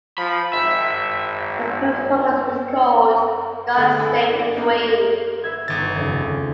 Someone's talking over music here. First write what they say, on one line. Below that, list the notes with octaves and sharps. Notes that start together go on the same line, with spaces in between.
The performance was called God Save the Queen!
F3 B5
G#1 E5
D2 D3 B3 G#4 D#6
E4 A4 G#5 B5
D4
A#3 B3 D#4
B4 E5 G#6
G1 D#3 A6
F1 C#2